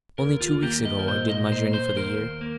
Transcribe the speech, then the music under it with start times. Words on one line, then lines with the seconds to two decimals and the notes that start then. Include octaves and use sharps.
Only two weeks ago I did my journey for the year.
0.18 D#2 A#4
0.41 F4
0.62 A#3 G4
0.85 D#5
0.99 A#4
1.08 A#2 C5
1.29 D#5
1.52 A#3 C5
1.74 C5
1.97 D#2 A#4
2.41 A#3